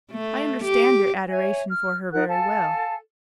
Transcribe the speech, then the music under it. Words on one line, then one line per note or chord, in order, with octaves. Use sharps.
I understand your adoration for her very well.
A3
G4
C#5 E5 G#5
F6
D#4 A#4 F#5 F#6
A4 F5 G#5 A5